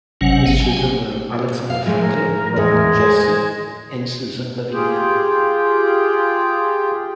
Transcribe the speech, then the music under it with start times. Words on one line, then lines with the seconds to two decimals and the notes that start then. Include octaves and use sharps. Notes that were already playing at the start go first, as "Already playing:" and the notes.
His children were Alexander Franklin, Robert, Jesse and Susan Lavenia.
0.21 G#1 C3 F#3 C#4 F#5
0.46 B3 F5
0.60 G5 G#5
1.70 F5
1.86 A2 F3 G#3
2.00 A#4
2.56 E2 A2 G#3
3.00 G#4 C5
4.73 F4 G4 G#4 G5